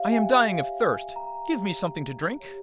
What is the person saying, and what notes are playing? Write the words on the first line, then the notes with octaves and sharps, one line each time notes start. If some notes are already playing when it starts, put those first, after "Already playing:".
'I am dying of thirst; give me something to drink.'
Already playing: G4 C#5 E5 F5
G#5
G5
G4 C#5 F5
G5
G#5
A#5
G4 C#5
G4 C#5